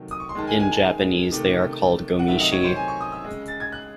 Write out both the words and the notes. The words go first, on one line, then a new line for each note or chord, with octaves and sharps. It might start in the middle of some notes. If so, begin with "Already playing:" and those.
In Japanese, they are called "gomishi".
Already playing: C3 D#3 F#3 A3
D#6
C#6
C6
D#3 G#3 A5
G#5
G#5
A5
C3 D#3 A3
F#5
C3 D#3 F#3 A3 E5
D#5
C#5
C5
G#5
C#6
D#6
E6
C#3 G#3
A6
G#6
F#6